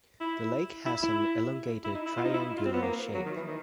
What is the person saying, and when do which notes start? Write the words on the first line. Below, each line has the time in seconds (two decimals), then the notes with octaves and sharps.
The lake has an elongated triangular shape.
0.20 E4
0.86 E4
1.03 E4
1.84 E4
1.95 D#4
2.05 E4
2.16 F4
2.25 D#4
2.33 E4
2.58 F4
2.65 C4
2.73 B3
2.82 A#3
3.14 F#3
3.25 D#3
3.36 E3
3.47 D#3